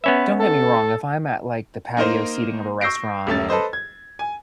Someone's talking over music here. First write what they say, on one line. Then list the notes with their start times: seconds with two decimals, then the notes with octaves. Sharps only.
don't get me wrong, if I'm at, like, the patio seating of a restaurant and,
0.04 B3 C#4 B4 E5
0.39 A4
1.97 A#3 D#4 A#4 C5
2.81 C#6 E6 G6 A#6 C7 D7
3.27 D#1 A3 C#4 A6
3.48 A4 B4 C5 D#5
3.73 G#6
4.19 G#5